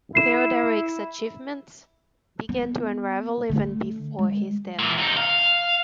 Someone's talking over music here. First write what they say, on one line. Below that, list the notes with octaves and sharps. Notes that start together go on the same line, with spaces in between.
Theoderic's achievements began to unravel even before his death.
E4 C7 E7
B3
D3 A3
G#3
A#2 E3
C3 D#4
F5